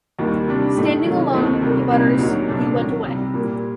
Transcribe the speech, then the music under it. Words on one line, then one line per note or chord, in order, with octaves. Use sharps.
Standing alone, he mutters: You went away.
D#2 D#3 G3 A#3
C3 G3 D4
A2 A3 D#4
C3 D#3 F#3
D#2 D#3 A3 C4 D#4
C2 C3 D#3 G3 A#3
C2 A#2 G3 C4 D#4
D2 C3 F#3 A#3 D#4
C2 A#2 A3 D4
C3 D#3 F#3
C2 C3 G3
A#2 G3 A#3